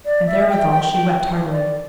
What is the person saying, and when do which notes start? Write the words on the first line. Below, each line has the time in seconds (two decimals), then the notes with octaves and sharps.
And therewithal she wept heartily.
0.05 D5
0.27 E5
0.49 G5
0.71 G5
0.93 G5
1.51 D5